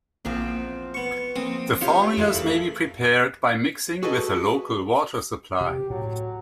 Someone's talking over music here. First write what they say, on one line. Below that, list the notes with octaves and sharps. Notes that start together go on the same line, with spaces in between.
The formulas may be prepared by mixing with the local water supply.
A#1 E2 F3 A#3 C4
B3 C#6
F3 A#3 C4 D#6
B3 F4 G4 C#5
F2 E3 A3 F4 E7
G4 G#4 A#4 B5
F#4 G#4 A4 B4 D#5
C3 G4
A2 F#3